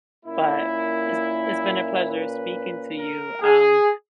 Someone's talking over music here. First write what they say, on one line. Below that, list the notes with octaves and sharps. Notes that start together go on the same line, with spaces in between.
But, it's it's been a pleasure speaking to you. Um,
A#2 A#3 C#4 E4
B4
A#4
G#4